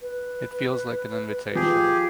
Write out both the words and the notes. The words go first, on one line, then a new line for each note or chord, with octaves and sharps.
It feels like an invitation.
B4
F3 G4 G#4